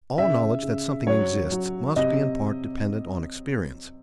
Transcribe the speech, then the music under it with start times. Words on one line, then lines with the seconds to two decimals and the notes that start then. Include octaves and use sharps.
All knowledge that something exists must be in part dependent on experience.
0.18 C#3 E5
0.63 C#3
1.07 F#3 C#5
1.52 F#3
1.96 C3 D#5